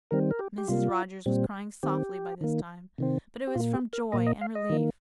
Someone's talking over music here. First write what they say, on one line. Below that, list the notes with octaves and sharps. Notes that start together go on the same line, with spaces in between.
Mrs. Rogers was crying softly by this time, but it was from joy and relief.
D#3 G3 C4 A#4
A#4
G4
G4
C3 G3 A#3 F4
A#2 G3 C4
D#3 C4 G4
D#3 A#3
C3 D#3 C4
G4
A#2 A#3 F4
G4
A#4
A#2 A#3 D#5
D#5
F5
D#5
D#3 A#3